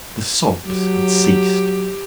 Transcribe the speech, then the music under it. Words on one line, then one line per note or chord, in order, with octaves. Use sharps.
The sobs had ceased.
F#3 G4